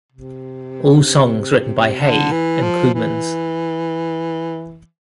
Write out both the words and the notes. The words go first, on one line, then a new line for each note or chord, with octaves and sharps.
All songs written by Hay and Kooymans.
C3
D3
E3
F3
E3